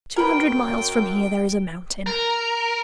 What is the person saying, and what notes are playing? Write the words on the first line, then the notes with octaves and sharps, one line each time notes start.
Two hundred miles from here there is a mountain.
F#2 A#4 B4 G5
A#4